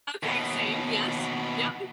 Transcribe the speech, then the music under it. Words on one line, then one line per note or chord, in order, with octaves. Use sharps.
Okay, same, yes. Yup.
D#2 B2